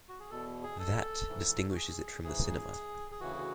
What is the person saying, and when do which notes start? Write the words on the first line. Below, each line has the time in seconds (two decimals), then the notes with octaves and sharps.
That distinguishes it from the cinema.
0.09 F#4
0.20 G#4
0.30 E2 B2 A4
0.63 G#4
0.79 A4
1.28 G#2 E3
1.70 F#4
1.76 G#4
2.24 G#2 E3 G#4
3.11 G#4
3.20 D2 C#3 E3 F#4